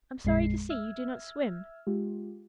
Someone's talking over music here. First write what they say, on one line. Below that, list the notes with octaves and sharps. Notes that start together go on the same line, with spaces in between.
I'm sorry to see you do not swim.
A1 F2 A#2 G#3 C7
E5 E6 F6 G#6
G#3 F4 G4